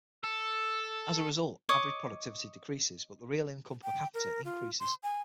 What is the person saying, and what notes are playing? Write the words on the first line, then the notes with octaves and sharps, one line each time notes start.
As a result, average productivity decreases but the real income per capita increases.
A4 E6
C#5 D#5 D6 D#6
G5
A#4
F4
C6
G#5